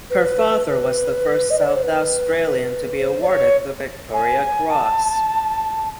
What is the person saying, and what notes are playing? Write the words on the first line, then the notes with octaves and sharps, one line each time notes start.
Her father was the first South Australian to be awarded the Victoria Cross.
B4
B4
D#5
D5
C#5
C5
B4
C5
D5
C#5
G#5
A5